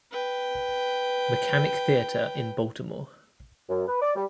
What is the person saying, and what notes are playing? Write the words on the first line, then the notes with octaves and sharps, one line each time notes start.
Mechanic Theatre in Baltimore.
B4 G5
F#2
B4
D5
G3